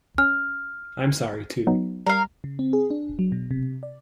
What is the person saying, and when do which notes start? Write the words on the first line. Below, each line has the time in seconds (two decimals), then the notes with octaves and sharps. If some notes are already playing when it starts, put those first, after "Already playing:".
I’m sorry, too.
0.18 C#4 F6
1.67 F#3 B3 D#4
2.06 G3 A#4 F5
2.44 C#3
2.59 C4
2.73 G#4
2.91 D4
3.19 F#3
3.32 B2
3.51 C3
3.83 D5